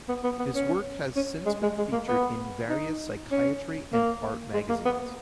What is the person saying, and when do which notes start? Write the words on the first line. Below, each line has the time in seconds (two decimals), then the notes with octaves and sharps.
His work has since been featured in various psychiatry and art magazines.
0.09 B3
0.24 B3
0.39 B3
0.54 C#4
1.16 C#4
1.46 G#3
1.63 G#3
1.78 G#3
1.92 A#3
2.08 B3
2.69 D#4
3.31 C#4
3.93 A#3
4.54 G#3
4.69 A#3
4.85 B3